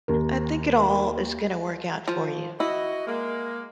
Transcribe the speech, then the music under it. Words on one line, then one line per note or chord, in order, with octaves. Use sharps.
I think it all is gonna work out for you.
D#2 A#4
F3
E4 F#4 D#5
G#3 A#3